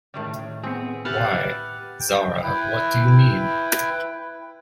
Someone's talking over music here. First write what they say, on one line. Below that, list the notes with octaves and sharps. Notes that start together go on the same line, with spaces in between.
Why, Zahra, what do you mean?
A2 D#3 G3
B3 C4 G#4
G4 B4 E5 F#5 F6 F#6 A6
G5
E4 B4 G5